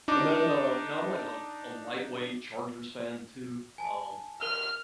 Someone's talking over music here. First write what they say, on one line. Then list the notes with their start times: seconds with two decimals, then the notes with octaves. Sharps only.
And then, uh, you know, I'm like a a lightweight Chargers fan too, um,
0.08 D4 D#4 D6
3.78 G#5 A5
4.42 A#4 F6 F7 G7